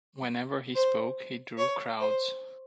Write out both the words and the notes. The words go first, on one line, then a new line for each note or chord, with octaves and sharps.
Whenever he spoke, he drew crowds.
C5
C#5
C5